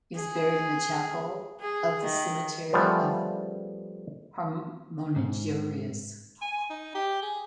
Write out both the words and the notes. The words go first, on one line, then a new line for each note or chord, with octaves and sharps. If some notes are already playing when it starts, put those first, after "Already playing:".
He is buried in the chapel of the Cemetery of Hormigueros.
G#4
G#4
D#3
C#3 F3 G3 A3 B3
G#2
G#5
D#4
G4
G#4